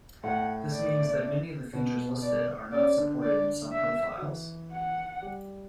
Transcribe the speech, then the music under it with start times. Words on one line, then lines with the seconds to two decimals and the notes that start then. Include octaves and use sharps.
This means that many of the features listed are not supported in some profiles.
0.23 A2 A3 F#5
0.73 D5
1.73 B2 B3
2.23 D5
2.72 C#3 C#4 D5
2.97 D3 D4
3.22 D5
3.72 E5
4.17 F#4
4.22 E3 E4
4.72 F#5
5.22 G3 G4